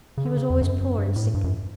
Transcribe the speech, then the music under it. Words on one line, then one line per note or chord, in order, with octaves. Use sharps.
He was always poor and sickly.
C#3
D3
C#3
E2
F#2
G2
A2
G2
F#2